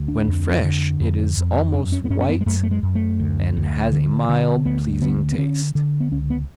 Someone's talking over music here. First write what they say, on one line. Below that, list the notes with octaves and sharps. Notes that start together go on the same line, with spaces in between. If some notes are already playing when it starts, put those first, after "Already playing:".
When fresh it is almost white and has a mild, pleasing taste.
Already playing: D2
D4
F2
D3
F2
F2
F#2 D4
C#4
B3
F#2 C#4
C#4
B3
G#3
F#2 A3
A3
G#3
F#2
A3
D2
D2
D3
D3
D2 B3
D3 B3
B3
D3 C#4
D3
B3
C#2 C#4
B3